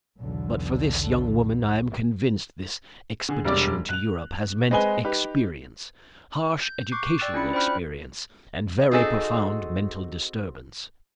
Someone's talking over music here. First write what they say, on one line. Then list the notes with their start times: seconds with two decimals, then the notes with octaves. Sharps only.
But for this young woman I am convinced this expedition to Europe has meant experience, harsh educational experience and very profound mental disturbance.
0.19 B1 E2 D3
3.29 D3 G#4
3.44 E1 G3 D5 D6
3.89 F#6 F7
4.71 G#3 C4 B4 D#5 G#5 G7
5.04 D#4 G4 B4
6.62 G6
6.92 C#6 D6 F#6 G6 C7
7.18 D5 G5 E6 F#6 A6
7.34 C#4 D4 E4 F4 B5 C#7
7.53 C5 D5 G5 B5 F6 F#6
8.91 C4 D#4 F#4 G#4 A4 D#5